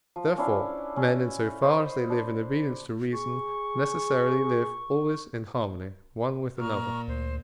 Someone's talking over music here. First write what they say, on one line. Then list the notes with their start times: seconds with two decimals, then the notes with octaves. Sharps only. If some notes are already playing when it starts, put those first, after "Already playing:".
Therefore, men in so far as they live in obedience to reason, necessarily live always in harmony one with another.
0.16 F3
0.37 C#4 D4 E4 F5
0.96 C#4
1.63 C5 D#5 B5
2.10 D4
3.13 G#4 C#6
6.57 A#2 A#5 C#6 F6
7.08 D2 C5